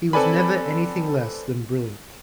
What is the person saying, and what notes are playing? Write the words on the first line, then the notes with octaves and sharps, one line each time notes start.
He was never anything less than brilliant.
C4 A4 B4 D5 G#5 B5